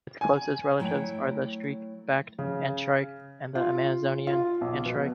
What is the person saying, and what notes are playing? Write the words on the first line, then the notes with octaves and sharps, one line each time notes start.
Its closest relatives are the streak-backed antshrike and the Amazonian antshrike.
G#5
F#3 A3 E4 G5
C#3
F4
F4
B1
B2